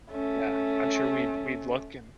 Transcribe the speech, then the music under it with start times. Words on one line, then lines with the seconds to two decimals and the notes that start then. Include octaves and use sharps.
Yeah, I'm sure we'd we'd look and,
0.11 A3 C#4